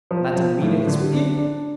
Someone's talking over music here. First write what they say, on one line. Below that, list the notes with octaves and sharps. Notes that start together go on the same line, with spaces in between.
Madam Mina is with you?
F3
F3
A2
D3
D4
D4